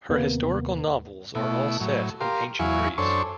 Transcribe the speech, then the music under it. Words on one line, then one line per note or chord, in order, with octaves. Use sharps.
Her historical novels are all set in ancient Greece.
D#2 C3 A#3 B3
B2 A3 E4
A2 F#3
G4 A#4 F5 C6
E2 F#3 E4 F5 G#5 C#6
F#2 D4 A4 C5 C#5 C#6